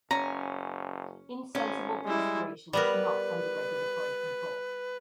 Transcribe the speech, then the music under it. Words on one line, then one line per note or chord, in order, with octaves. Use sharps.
Insensible perspiration is not under regulatory control.
F#1 C#4 A#5
G#1 C#4
G3 G#3 E4
G3 B3 A#4 B4